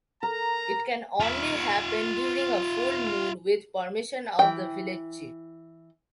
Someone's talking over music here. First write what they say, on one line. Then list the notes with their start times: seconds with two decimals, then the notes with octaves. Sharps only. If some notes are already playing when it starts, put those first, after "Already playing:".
It can only happen during a full moon with permission of the village chief.
0.23 A#4 A#5
1.20 F4 E5
4.39 E3 G5